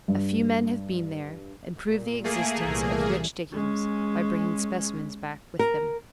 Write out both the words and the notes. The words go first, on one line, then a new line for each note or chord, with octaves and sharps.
A few men have been there and proved the existence of rich diggings by bringing specimens back with them.
G2
A#2
A3 A#3 G#4
C2 A#2 E3
G#3 C#4
A#4